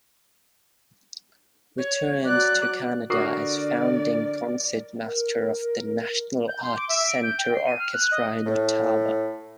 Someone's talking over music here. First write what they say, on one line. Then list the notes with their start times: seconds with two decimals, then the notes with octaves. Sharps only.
Returned to Canada as founding Concertmaster of the National Arts Centre Orchestra in Ottawa.
1.78 C#5
2.25 F#3 D5 F#6
3.10 D3 F#4 A#4 D5 D6 D#6 C7
5.06 A#4
6.48 G6
6.62 C6
6.76 D6
6.89 E5
7.07 D7
7.23 G6
7.39 G5
7.54 C7
7.66 D#7
7.79 F6
7.93 F#6
8.11 D#5
8.46 A2